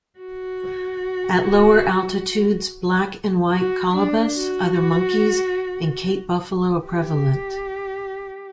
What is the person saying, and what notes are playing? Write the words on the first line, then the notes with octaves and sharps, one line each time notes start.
At lower altitudes Black-and-white colobus, other monkeys and Cape Buffalo are prevalent.
F#4
F#4
D4
F#4
G4